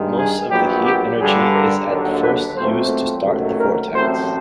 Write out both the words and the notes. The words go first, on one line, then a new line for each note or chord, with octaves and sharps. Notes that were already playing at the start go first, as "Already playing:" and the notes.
Most of the heat energy is at first used to start the vortex.
Already playing: G2 D#3 G#3
G#4
A#1 A#2 F#3 B3 G4
G4
G2 D3 G3 G#4
A#4
D#2 D3 F#3 A#3
B4
B1 A#2 F#3 A3 C4 C5
C#2 C3 D#3 F#3 A3
A#4
A1 A2 F#3 A3 C4 C5